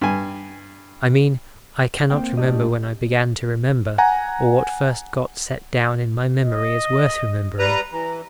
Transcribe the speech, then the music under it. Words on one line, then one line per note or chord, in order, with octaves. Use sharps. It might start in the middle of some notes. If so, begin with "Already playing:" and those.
I mean, I cannot remember when I began to remember, or what first got set down in my memory as worth remembering.
G2 G#5
A#3 C4 G5
A2 D4 G4 D#5
F#5 G#5 A#5
D#5
G3 B4 A#5
E3 A#5